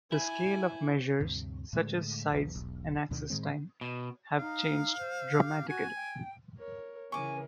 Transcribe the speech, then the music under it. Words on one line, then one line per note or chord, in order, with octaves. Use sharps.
The scale of measures such as 'size' and 'access time' have changed dramatically.
E4 G#5
D2 G2 C3
A2 D3 G#3 A3
B1 E2
E1 B1
D2 B2 D3 D#3
A2 D#3 G#3 C4
B2
D#4 F5
C5
G4
F#4 G#5
G5
A#4 C#5
C#3 E3 C#4 A#4 G#5 C#6 D6